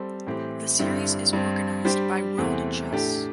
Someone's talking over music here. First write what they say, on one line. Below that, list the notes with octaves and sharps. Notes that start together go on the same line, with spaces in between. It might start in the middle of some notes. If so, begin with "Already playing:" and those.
The Series is organized by World Chess.
Already playing: G3 C4 A4 C5
A2 E3 C4 G4
G2 D3 G3 C4 E4
G2 G3 C4
G3 D4 G4 C5
E2 C3 E3 A3 C4
A2 A3 D4 G4